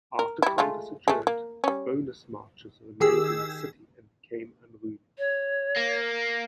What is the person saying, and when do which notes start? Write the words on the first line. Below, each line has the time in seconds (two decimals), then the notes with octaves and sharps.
After Congress adjourned, bonus marchers remained in the city and became unruly.
0.19 A#4
0.42 G3 E4
0.58 G#3 A3 F4
1.08 G#3 A3
1.27 A#3
1.64 G3 C#4
3.00 D#3 G4 G#4 E6
5.18 C#5
5.77 A#3